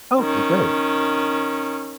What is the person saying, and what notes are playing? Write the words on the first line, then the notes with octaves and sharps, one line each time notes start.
Okay, great.
D#3 C#4